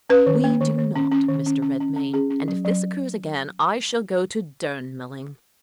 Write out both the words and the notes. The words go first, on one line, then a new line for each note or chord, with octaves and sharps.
"We do not, Mr. Redmain; and, if this occurs again, I shall go to Durnmelling."
C#4 B4
D#3
A#3
D#3
D#3
C#4
C#4
D#3
C#4
C#4
C#4
C#4
C#4 G#4
C#4
F#3
F#3